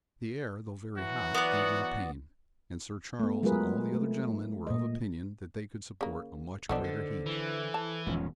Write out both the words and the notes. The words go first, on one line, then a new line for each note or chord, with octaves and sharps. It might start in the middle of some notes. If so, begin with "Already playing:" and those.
The air, though very hot, gave no pain, and Sir Charles and all the other gentlemen were of opinion that they could support a much greater heat.
E3 F#3 F#4
B3 D5
A3 B3
F#3 G#3 F4 G#4 A#4 B4
A3
A#2 D#5
C#3 A#3
B1 D#3 F3 B3 D4 A4 C5
D3
E3
A5
D#1 E2 G#2 F3 C#4